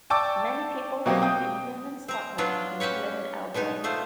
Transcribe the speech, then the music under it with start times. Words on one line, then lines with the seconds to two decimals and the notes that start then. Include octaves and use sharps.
Many people from England and Scotland came to live in Elbling.
0.10 D5 G5 A5 C#6 D6 E6
1.06 B2 F#3 A#3 C4 G4
1.22 G5 D#6 G6
2.08 C4 A#5
2.38 F#3 B3 D4 F4
2.80 C#4 F#4 G4 B4 C#5
3.54 B2 G#3 B3 D#4
3.84 A3 F4 C5